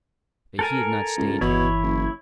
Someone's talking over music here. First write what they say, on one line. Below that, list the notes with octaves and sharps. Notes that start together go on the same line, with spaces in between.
But he had not stayed here.
A4 A#4 G#5
C#2
G1 B2 E3 E4 C#5
F#1